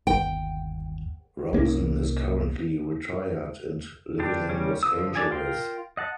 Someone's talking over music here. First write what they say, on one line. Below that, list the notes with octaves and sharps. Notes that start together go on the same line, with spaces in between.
Rosen is currently retired and living in Los Angeles.
G1 D#2 G5
C2 A#3 C4 C#4
D3 D4 G4
C#3 G3 C#4
D3 F3 D#6 E6
D4 D5 G#5
F4 A#4 G5 C6
D#5 F#5 A5